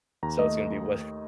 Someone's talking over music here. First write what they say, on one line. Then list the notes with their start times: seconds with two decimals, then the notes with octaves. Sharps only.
so it's gonna be wha
0.23 D#2 A#5
0.39 A3 D#5